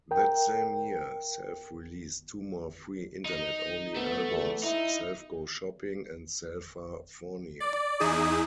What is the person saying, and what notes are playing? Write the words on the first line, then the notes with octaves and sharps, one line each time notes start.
That same year, Self-released two more free Internet-only albums, "Self Goes Shopping" and "Selfafornia".
A#4 G5
D#4
A3 B3
E2
D#4 E4
D5
E2 D#4 E4 G#4 D#6